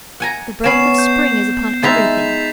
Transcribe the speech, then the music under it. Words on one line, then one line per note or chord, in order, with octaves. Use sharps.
The breath of spring is upon everything.
F#5 G#5 A#5
B3 C#4 D5 C7 E7
G6
G#3 D#4 E4 A6 B6 F7